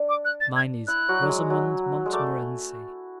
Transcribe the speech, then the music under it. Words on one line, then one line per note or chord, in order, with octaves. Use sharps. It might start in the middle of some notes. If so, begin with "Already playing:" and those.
Mine is Rosamond Montmorency.
Already playing: D4
D6
F#6
A6
G#6
E4 F#6
F#3 F#4
F#3
G#3
F#3
G#3
A3 D6